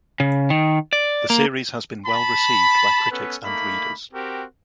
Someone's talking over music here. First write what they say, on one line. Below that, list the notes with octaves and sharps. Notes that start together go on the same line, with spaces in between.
The series has been well received by critics and readers.
C#3
D#3
D5
A#3
A5 B5
B3 C#4 A4 B4
A3 A#3 D#4 B5
C4 F#4 G4 A#4